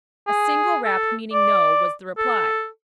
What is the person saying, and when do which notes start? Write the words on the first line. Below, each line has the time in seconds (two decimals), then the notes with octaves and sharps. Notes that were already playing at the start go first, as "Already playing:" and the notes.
A single rap, meaning "No," was the reply.
0.28 G#4
0.85 A4
1.33 D5
2.18 A4